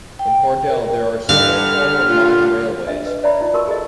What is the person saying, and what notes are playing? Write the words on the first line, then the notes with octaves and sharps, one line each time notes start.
In Hordel there are several former mine railways.
G5
A#4
D3 G3 F5 F6
F4
D4 D#5 E5
B4 D#5
C#5 D5 E5 A#5 B5
D#4 F4 D#5
F#4 A#4 A5 C#6 E6
G#4 A4 D#5